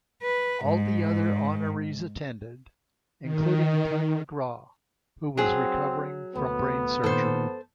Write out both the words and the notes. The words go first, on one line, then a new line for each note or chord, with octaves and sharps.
All the other honorees attended, including Tug McGraw, who was recovering from brain surgery.
B4
G#2
D#3
F#3 C4 G#4
D2 B3
A#2 D#3 A4 C5